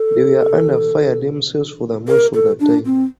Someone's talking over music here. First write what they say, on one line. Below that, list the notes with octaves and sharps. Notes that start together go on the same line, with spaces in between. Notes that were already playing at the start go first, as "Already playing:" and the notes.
They were under fire themselves for most of the time.
Already playing: A4
A#4
A4
D4
C4